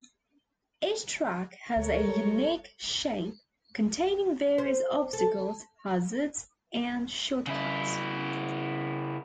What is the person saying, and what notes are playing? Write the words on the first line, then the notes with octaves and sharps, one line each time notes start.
Each track has a unique shape, containing various obstacles, hazards, and short-cuts.
D2 A4 A#4 C#5
G3
C5
A4
C#3 E4